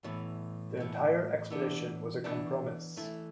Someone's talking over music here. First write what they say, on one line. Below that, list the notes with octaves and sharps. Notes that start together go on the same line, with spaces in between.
The entire expedition was a compromis.
A2 E3 B3
A2 E3 B3
E3 B3 D4
E3 B3 D4
E3 A3 E4